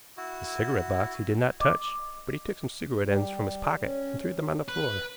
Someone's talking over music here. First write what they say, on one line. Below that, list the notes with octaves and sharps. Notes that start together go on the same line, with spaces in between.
The cigarette box he did not touch, but he took some cigarette-ends from his pocket and threw them on the floor.
E4 F#4
D#5 D6
G3
C#4
B4